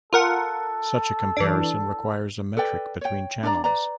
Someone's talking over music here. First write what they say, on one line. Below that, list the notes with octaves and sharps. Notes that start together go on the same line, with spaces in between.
Such a comparison requires a metric between channels.
F4 A4 A#4 F#5
E3 D4
A4 B4 D5 G5
C#5 G5
D4 C#5 D5 A#5
B4 D5 A#5